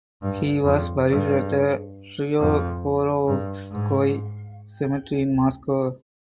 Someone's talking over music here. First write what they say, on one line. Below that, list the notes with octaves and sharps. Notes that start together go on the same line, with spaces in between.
He was buried at the Troyekurovskoye Cemetery in Moscow.
G2
F2
G2
F2
G2
G#2